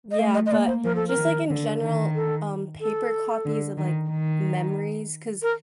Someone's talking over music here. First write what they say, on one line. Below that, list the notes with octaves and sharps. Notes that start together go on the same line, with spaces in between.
Yeah, but, just, like, in general, um, paper copies of, like, memories, 'cause
D#5
A3 F5
D#5
D#5
A#3 D5
C5
F3 A#4
A4
A#4
D#3
D3
D#3
A4
A4
D3
D#3
D#3
A#4